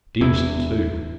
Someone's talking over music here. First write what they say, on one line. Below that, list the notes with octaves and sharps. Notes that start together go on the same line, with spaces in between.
Deemster too!
E1 E2 E4